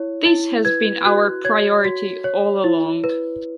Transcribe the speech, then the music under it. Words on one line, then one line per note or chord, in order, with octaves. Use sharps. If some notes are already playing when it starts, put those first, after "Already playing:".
This has been our priority all along.
Already playing: E4 C#5
E4
B4 G#6
F#4 F#6
C#5 G#6
F#4 B6
C#5
E4
B4